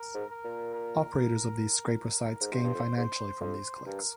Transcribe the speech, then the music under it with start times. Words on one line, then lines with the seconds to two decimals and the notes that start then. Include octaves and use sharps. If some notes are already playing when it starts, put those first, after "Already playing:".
Operators of these scraper sites gain financially from these clicks.
Already playing: A#4
0.14 G#2
0.30 A#4
0.45 A#2
0.74 A#4
2.41 G#2
2.52 G2 C5
2.64 G2
2.74 F2
2.97 G#2 C5
3.41 F2 C5
3.86 G2 A#4